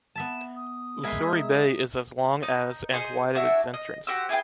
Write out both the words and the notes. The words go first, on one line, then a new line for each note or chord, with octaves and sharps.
Oussouri Bay is as long as and wide at it’s entrance.
B3 E5 A5 E7
D#6
G#3 A#4 B4 E5 G#5 B5 C6
D#4 D#6
D#4 G#4 C5
D4 E4 F#4 E5
D#5
F#4 G4 C5 E6
E4 G#4 B4 G5